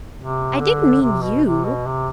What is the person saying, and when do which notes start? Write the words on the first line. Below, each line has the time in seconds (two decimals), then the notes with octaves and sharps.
'I didn't mean you!
0.17 C3
0.60 D3
1.01 C3
1.22 B2
1.44 C3
1.64 B2
1.86 C3